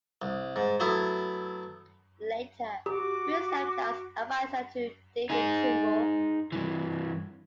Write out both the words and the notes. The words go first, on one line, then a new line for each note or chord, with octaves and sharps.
Later, Bew served as an adviser to David Trimble.
C2
G#2
F#3 A3 B3 E4
F#4 G4 D6
D#4 G#4
G2 E3